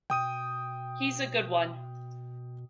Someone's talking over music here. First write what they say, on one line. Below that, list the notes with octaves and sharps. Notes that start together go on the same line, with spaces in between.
He's a good one.
B2 G5 D#6 D#7